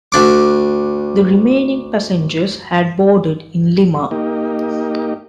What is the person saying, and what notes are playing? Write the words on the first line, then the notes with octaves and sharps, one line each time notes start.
The remaining passengers had boarded in Lima.
D2 D4 D6
A#3 D#4 G4